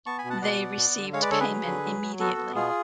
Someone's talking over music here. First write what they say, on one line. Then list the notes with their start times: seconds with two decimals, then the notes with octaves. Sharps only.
They received payment immediately.
0.06 B3 A5 C#6
0.18 G#5 B5
0.24 B2
0.30 F#5 A5
0.42 B2 D5 F#5
0.60 B3
0.77 B3
0.96 D3
1.13 G#3 C#5 F5
1.22 B4 D5
1.31 D3 A4 C#5
1.40 G#4 B4
1.49 F#3
1.66 D3
1.85 F#3
2.02 F#3
2.20 B3 F#4 A4
2.38 B3
2.55 B2 F4 G#4